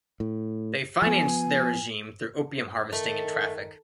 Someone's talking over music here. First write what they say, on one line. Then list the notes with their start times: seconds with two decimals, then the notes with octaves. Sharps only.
They financed their regime through opium harvesting and traffic.
0.20 A2
1.02 F3 B3 G#5
2.93 D#3 A3 A#4